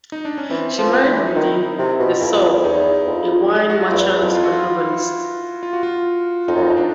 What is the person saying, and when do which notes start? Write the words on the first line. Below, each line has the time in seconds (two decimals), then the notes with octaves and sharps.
She married Rudi Nassauer, a wine merchant and novelist.
0.12 D#4
0.25 D4
0.38 C#4
0.50 E3 C4
0.78 F3
1.07 E3
1.26 D#4
1.36 D#3 E4
1.78 C3
1.99 B2
2.21 F2 E4
2.64 E2 D#4
3.07 F2
3.70 F#4
3.80 F4
3.91 E2 E4
4.21 F2
4.35 F4
4.43 F#4
4.51 F4
5.63 F4
5.73 F#4
5.83 F4
6.48 F2 D#4
6.55 F#2
6.63 F2
6.77 D4